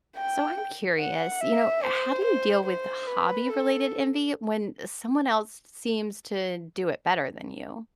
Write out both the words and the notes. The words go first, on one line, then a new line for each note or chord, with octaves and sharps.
So, I'm curious, you know, how do you deal with the hobby related envy when someone else s seems to do it better than you?
G5
F#5
E5
C5
C5
C5
B4
A4